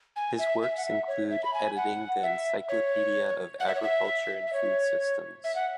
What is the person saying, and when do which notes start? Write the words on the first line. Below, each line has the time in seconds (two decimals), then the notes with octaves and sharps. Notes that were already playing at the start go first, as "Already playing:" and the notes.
His works include editing the "Encyclopedia of Agriculture and Food Systems".
0.16 G#5
0.39 E5
0.62 E5
0.77 F#5
0.85 E5
1.08 C#5
1.30 E5
1.44 B5
1.54 G#5
1.76 F#5
2.23 E5
2.69 C#5
3.60 F#5
3.67 E5
3.75 C#5
3.82 E5
4.47 E5
4.53 C#5
5.44 E5
5.55 F#5